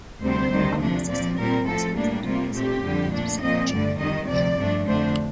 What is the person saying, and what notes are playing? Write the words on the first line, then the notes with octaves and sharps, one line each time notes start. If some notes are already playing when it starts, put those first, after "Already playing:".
Unlike cystic neoplasms, they don't present specific tumor markers.
D2 C3 G3 C4 C5
D2 C3 D#3 G3
C3 F3 A3 D4
A#2 F3 C4 D5
A#2 G3 C4 A#4
A2 F3 C4 A4
A2 G3 A#3 D4
C3 G3 A#3 F4
A#2 A3 C4 G4
F2 D3 G3
A#2 A3 D4
A#2 F3 C4 D#5
G2 D3 A3 D5
F2 D#3 G3 D#5
D2 C3 F3 D5
G2 F3 A3 D4
F2 D3 A3 D4 C5